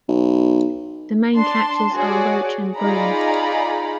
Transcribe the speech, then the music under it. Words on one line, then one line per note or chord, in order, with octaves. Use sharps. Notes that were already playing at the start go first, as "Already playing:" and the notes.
The main catches are roach and bream.
B1
D4 A5 C6
F#4 G#4 C#5 D5
D#4 F4 G#4 D5 A#5 B5